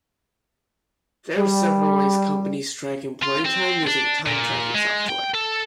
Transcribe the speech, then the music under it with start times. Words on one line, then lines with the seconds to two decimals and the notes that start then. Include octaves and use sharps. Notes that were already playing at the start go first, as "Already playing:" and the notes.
There are several ways companies track employee time using time tracking software.
1.38 G3
3.23 F4
3.46 C4
3.87 D4
4.26 A#2
4.74 G#3
5.10 G5
5.35 A4